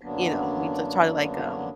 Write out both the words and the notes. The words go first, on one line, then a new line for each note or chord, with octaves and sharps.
you know, we just try to, like, um,
F#2 D3 F#3 A#3 B3 D4